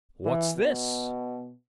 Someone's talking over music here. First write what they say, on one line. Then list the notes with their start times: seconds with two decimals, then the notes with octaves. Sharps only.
"What's this?"
0.25 E3
0.56 B2